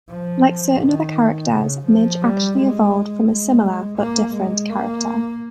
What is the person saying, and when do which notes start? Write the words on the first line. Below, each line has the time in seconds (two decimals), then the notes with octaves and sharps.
Like certain other characters, Midge actually evolved from a similar but different character.
0.09 F3
0.81 D#3
1.51 C#3
1.87 F3
2.22 G3
2.58 G#3
3.28 G#3
3.99 A#3
4.34 G#3
4.69 A#3